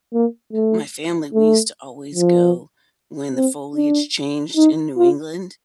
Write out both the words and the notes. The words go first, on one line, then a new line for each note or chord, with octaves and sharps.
my family we used to always go when the foliage changed in New England,
A#3
A3
A3
F3
C4
D4
D#4
F4